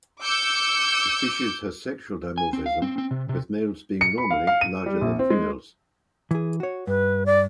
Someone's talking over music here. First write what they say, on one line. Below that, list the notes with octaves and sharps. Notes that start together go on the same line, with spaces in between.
The species has sexual dimorphism, with males being normally larger than females.
D6 E6 G6 C#7
G#5
C4
F5
C4
C4
C3
C3
C#7
B5
F5
F5
D#7
G3
A#1
C4
G#3
E3 G#4
F#4 C#5
G2 B4
D5